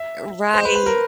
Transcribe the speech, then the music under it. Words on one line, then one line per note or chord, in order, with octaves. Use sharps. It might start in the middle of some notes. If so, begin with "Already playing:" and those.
Eh, right.
Already playing: E5
C5
B4
B4
A#4